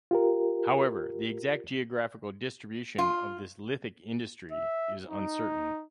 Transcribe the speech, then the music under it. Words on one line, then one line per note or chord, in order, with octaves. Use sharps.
However, the exact geographical distribution of this lithic industry is uncertain.
F4 G4 A#4
F4
E5
D#4